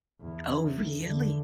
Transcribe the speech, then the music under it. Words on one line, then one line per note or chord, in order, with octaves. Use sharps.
Oh, really.
E2
E2 D3